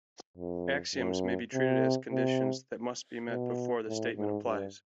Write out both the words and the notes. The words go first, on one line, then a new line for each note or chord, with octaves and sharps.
Axioms may be treated as conditions that must be met before the statement applies.
F2
F#2
C3
C3
B2
A2
G#2
G2